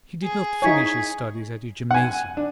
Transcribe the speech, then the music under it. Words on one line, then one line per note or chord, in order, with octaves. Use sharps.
He did not finish his studies at the gymnasium.
G#4
D#4 E4 C#5 G#5 G#6 B6
F#5 G#5
D4